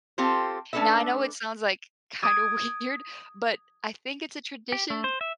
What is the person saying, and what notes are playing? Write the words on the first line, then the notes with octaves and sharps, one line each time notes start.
Now I know it sounds, like, kinda weird, but I think it's a tradition
C4 F4 G4 A4 C5
A3 C#4 D4 A4 B4 E5
D6 D#6 G#6
G4
A3
C5
E5